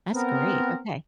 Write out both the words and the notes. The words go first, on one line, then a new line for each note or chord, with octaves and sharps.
That's great, okay.
B3 C4 A#4